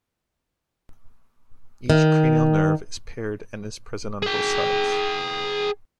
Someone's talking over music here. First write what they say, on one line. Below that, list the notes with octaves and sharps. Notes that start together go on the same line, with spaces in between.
Each cranial nerve is paired and is present on both sides.
D#3
G#4 G5